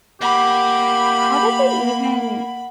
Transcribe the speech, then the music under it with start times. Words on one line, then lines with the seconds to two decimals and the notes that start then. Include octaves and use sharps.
How did they even
0.21 A#3 G4 F#5 B5